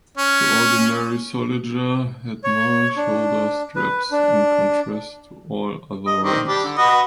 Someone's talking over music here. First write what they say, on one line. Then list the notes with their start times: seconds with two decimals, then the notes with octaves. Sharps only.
The ordinary soldier had no shoulder straps in contrast to all other ranks.
0.17 C#4
2.44 C#5
2.97 D4
3.76 B4
4.11 D4
6.07 D#5
6.23 D#3 C4 D5
6.48 G3 D4
6.64 D3
6.78 F#4 B4 D#5